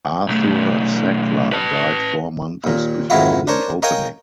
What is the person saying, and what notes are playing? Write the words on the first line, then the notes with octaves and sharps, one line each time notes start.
Arthur Sackler died four months before the opening.
B1 A3
B4 A5
D#2 A#2
F2 G#2 D#3 E4 F#4 F5
D4 A#4 C5 C#5
A#4 C#5 D#5 F5 G5 G#5